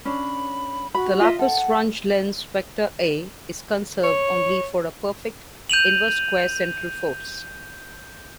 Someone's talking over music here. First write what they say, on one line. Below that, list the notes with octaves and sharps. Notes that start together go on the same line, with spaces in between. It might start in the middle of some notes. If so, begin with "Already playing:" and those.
The Laplace-Runge-Lenz vector A is conserved only for a perfect inverse-square central force.
C#4 D4 B5
F#4 B5
F4 D#5 E5
A4 F#5
C#5
G6 D#7 F7 F#7